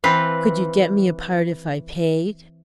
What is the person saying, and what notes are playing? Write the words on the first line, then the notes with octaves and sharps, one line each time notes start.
"Could you get me a part if I paid?"
E3 C4 B4 F5